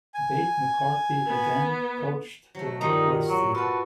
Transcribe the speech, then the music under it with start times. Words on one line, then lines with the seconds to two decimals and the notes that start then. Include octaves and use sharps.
Babe McCarthy again coached the West team.
0.14 G#5
1.27 B3
2.55 F#3 A3
2.81 G2 A#2 D#3 D#4 A#5
3.29 F#3
3.55 F4 F#4 A4 B4